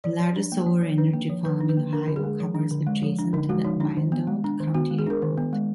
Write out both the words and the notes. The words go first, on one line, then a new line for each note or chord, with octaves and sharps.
The largest solar energy farm in Ohio covers adjacent to the Wyandot County Airport.
F3 D5
F3
D4
A#3
F3
F3
D4 B4
A#3
F3
F3 B4
D4
B4
A#3
D4 A#4
D3
G#4
G#3
F3
D4
D3
G#3
F3
D4
D3 D#4
G#3 F#4
F3 D#4
D4 D#4
D#3
B3
G#3
D4
D#3
B3 F#4
G#3
G#4
D4 A#4
D#3
B3
G#3